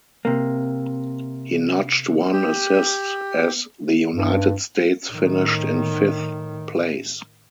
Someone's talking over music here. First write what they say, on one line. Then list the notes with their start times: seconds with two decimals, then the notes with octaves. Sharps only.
He notched one assist as the United States finished in fifth place.
0.25 C3 A#3
2.33 G4
4.13 G2
5.11 A2 D#3